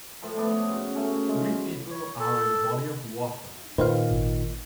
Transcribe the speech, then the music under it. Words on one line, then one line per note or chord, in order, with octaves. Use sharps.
Three people are in a body of water.
A2 F3 B5
F3 B3 D4
C#5
C#3 F#4
A3 C#4
G#3
C#5
A4
A#2 D#3 B4 C5 F5
G#1